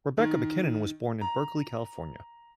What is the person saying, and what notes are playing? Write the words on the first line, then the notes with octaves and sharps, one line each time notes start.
Rebecca MacKinnon was born in Berkeley, California.
D#3
A#5